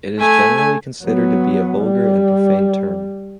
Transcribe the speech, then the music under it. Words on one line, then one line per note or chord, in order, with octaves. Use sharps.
It is generally considered to be a vulgar and profane term.
A3 G#5
F#3 B3
G3